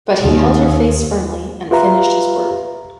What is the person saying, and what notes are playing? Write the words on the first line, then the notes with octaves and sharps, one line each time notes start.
But he held her face firmly and finished his work.
D#2
F4 G4 B4 E5 F5 A#5